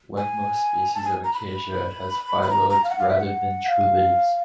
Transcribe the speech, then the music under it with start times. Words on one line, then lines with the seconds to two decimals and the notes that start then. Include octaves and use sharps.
Like most species of "Acacia" it has phyllodes rather than true leaves.
0.17 G#5
0.95 A5
1.05 G#5
1.24 A#5
1.34 B5
2.42 B5
2.50 A#5
2.70 A#5
2.84 F5
2.90 F#5
2.99 F5
3.09 E5
3.19 F#5
3.67 F5